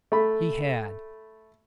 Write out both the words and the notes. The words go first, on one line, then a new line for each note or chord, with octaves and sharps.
He had.
A3 B5